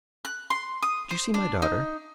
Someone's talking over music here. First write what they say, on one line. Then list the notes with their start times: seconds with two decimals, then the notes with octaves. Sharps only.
"Did you see my daughter?"
0.25 F#6
0.50 C6
0.82 D#6
1.11 C5
1.34 D4
1.62 D#4